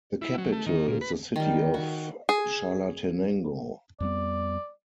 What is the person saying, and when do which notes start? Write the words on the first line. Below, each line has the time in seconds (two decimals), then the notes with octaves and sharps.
The capital is the city of Chalatenango.
0.21 E4
0.38 F#3
0.52 A3
0.66 D#3
0.88 A#2
1.01 B4
1.36 D#3 G3
1.74 F#4
2.29 G#4
4.00 F2 G3 B3 D5